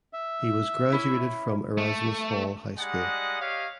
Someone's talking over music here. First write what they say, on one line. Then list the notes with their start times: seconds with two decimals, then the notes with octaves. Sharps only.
He was graduated from Erasmus Hall High School.
0.13 E5
0.92 C#4 E4
1.78 A3
2.77 G3 G#3 D4 D#5 F#5
3.40 G4 C#5 D#5 F5